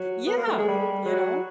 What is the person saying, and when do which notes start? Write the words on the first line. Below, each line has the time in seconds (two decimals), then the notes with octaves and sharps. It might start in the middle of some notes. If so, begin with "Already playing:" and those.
Yeah, you know?
Already playing: F#3
0.26 B3
0.37 A#3
0.47 A3
0.57 G#3
0.68 G3
1.05 F#3